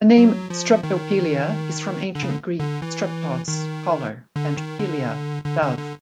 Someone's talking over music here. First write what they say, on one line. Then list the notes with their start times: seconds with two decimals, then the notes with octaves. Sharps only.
The name "Streptopelia" is from Ancient Greek "streptos", "collar" and "peleia", "dove".
0.18 F#3
0.50 F3
0.83 D#3
2.15 D3
2.23 C#3
2.30 D3
2.60 D3
2.82 E3
3.48 D#3
4.36 D3
4.57 D#3
4.79 D3
5.46 D3
5.62 D3
5.79 D3